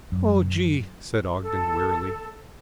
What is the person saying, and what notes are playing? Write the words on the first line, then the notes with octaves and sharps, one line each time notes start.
"Oh, Gee," said Ogden wearily.
F#2
A4